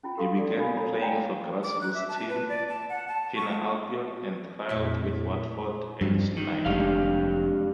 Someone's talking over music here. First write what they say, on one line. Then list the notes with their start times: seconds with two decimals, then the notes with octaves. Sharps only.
He began playing for grassroots team Pinner Albion and trialled with Watford aged nine.
0.03 C#4 E4 F4 A5
0.17 G4 A4 F5 C6 D6
0.38 D5
0.58 A4 D#5 F5 G#5 B5
0.77 D#4 C#5 A#5 B5
1.01 C#5 D5 G5 G#5 A#5
1.63 D6
1.81 F#6
1.95 E5
2.08 A5
2.29 B4
2.49 D5
2.69 A5
2.89 F#5
3.08 A5
3.36 C#6
4.69 F2 A#2 A3 E4 F#4 C#5 B6
6.01 G2 F3
6.36 D#3
6.66 F1 G#3 D4 G4 F5